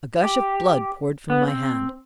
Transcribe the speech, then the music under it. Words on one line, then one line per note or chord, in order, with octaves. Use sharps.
A gush of blood poured from my hand.
G4
B3
C4